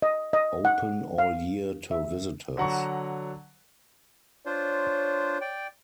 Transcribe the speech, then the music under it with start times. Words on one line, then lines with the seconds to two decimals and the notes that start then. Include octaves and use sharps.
Open all year to visitors.
0.02 D#5
0.33 D#5
0.65 F#5
1.18 F5
1.91 E5
2.57 D3 F#3 F#5 A#5 C#6
4.46 D4 F4 C5 C#5
5.41 D5 G5